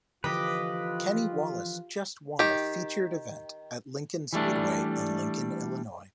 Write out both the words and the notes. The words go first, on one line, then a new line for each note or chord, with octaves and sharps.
Kenny Wallace just won a featured event at Lincoln Speedway in Lincoln, Illinois.
D3 E3 F3 F4 G4 B4 D#5
D#3 G4
E3 G3 A3 D4